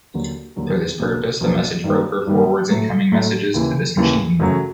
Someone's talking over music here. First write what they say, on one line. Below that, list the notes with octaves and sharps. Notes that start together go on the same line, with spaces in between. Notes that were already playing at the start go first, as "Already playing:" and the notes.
For this purpose the Message Broker forwards incoming messages to this machine.
D#2 D3 F#3
D#2 D3 F#3
B1 B2 F#3 A#3 D4
B1 B2 F#3 A#3 D4
G2 D#3 G3 A#3
G2 D#3 G3 A#3
A2 F#3 A3
A2 F#3 A3
D#2 C#3 E3
D#2 C#3 E3
F#2 C#3 F#3 A3